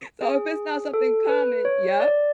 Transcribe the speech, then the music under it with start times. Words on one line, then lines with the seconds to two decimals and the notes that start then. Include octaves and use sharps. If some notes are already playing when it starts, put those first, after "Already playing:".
So, if it's not something common Yep,
0.22 G#4
0.94 A4
1.29 B4
1.65 C#5
2.00 D5